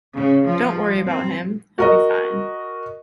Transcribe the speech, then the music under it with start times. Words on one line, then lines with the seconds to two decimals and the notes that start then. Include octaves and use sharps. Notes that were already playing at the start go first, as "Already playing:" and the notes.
Don’t worry about him, he’ll be fine.
0.15 C#3
0.45 F3
1.05 C4
1.78 F#4 A#4 D#5